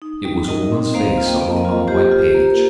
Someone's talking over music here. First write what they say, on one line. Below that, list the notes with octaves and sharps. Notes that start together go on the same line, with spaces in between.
It was a woman's face, alone on the white page.
D#4
G3
D#4 A#4 D#5
C4
A#3 C5 F5
F4
D#5 G5
A#3
A#4 D#5
F4
F4 G4 C5
F4
G4
A#3
A#4